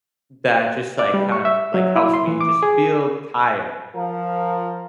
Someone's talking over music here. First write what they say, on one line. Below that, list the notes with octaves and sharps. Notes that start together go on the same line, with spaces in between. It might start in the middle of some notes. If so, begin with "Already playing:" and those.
that just, like, kind of, like, helps me just feel tired.
D5
G3
C#6
E5
F#3
E4
C6
E3
D6
G#4
F3 A#4